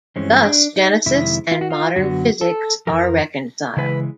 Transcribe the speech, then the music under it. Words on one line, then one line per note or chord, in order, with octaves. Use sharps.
Thus Genesis and modern physics are reconciled.
G2 E3 G#3 C4 C#4
D4
D#4
F2 C3 D#3 G#3 E4
F4
F#4
F4
F#2 D3 F#3 B3 F#4
A4
F2 C3 F3 A#4
C#3 E3 G#3 B4